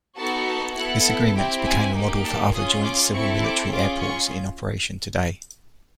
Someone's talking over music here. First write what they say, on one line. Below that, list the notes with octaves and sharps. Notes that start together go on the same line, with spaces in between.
This agreement became a model for other joint civil-military airports in operation today.
B3 D#4 F#4 A4 A5
A5
B3 E4 A4 F#5
F#5
C4 E4 G4 G5
G#5
A#3 D#4 G4
A5
C#4 F4 G#4 D#6
D6
C4 E4 A4 C#6
D6
C#4 F4 G#4 D6
C#6